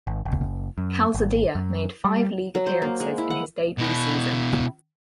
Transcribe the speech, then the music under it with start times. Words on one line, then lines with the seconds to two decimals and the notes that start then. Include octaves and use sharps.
Calzadilla made five league appearances in his debut season.
0.07 G#1
0.25 F#1
0.78 F#2
1.15 G#1
1.55 F#2
2.05 G3
2.55 F#3
2.67 C5
2.82 A#3
3.00 G#3
3.18 E4
3.30 F#5
3.78 B2 E4